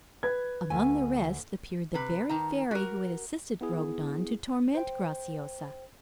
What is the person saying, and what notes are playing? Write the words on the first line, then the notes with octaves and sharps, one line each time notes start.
Among the rest, appeared the very fairy who had assisted Grognon to torment Graciosa.
B4 G#6
D2 G#5
C3 B4
D#3 A5 A#5
F#4 A#4
B3 E4 G#4
C5 G5